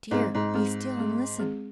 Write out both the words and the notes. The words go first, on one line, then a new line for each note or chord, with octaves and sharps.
"Dear, be still, and listen!"
G#2 G#3 C4 G#4
G#2
G#3 C4 G#4
G#3 C4 G#4
G#3 C4 G#4